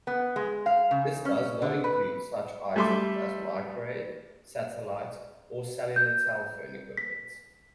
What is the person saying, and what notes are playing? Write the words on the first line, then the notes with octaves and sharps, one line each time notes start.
This does not include such items as microwave, satellite, or cellular telephone equipment.
B3
G#3
F5
C#3
C#4
D3
B4
G3 A3 E5 C6 D6
G6
B6